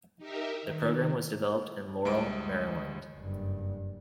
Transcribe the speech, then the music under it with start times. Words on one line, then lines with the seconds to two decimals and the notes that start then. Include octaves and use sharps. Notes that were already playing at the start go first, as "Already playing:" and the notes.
The program was developed in Laurel, Maryland.
0.18 D#4 G4 A#4 E5
0.62 D#3
2.05 D2 G3 G#3 D#5 D7
3.16 F#1 G2